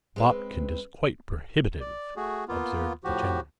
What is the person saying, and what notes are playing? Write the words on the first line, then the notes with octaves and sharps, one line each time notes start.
"Botkin is quite prohibitive," observed the general.
G#3 C4 B4
D5
A3 F#4 G#4
A#3 B3 F4
A2 F3 F#4 G4